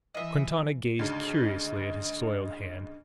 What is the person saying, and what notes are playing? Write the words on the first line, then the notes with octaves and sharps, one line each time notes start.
Quintana gazed curiously at his soiled hand.
E3 D#5 E5
D2 G#2 C#3 D4 D#5